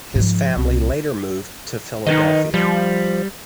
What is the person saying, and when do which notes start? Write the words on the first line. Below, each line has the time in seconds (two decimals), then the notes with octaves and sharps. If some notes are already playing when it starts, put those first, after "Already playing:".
His family later moved to Philadelphia.
0.15 G#2 F3
0.56 C2
2.07 D#3 D#4 B4 D#5
2.54 F3 G3